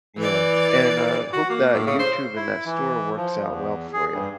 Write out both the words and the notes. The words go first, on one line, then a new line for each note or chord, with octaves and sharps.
Yeah, and, uh, hope that YouTube and that store works out well for ya.
E3 D5
F#4
A#3
A2
C#3
C5
E4
E3
F3
E2
G#4
G2